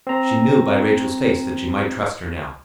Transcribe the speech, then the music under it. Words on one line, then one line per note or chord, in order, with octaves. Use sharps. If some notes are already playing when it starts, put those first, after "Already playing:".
She knew by Rachael’s face that she might trust her now.
C4 A#5